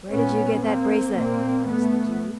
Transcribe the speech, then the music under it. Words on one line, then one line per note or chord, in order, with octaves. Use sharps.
'Where did you get that bracelet?' asked the Jew.
A#2 B3 C#4
A#3 C4
A#2 A#3 C4
A3 B3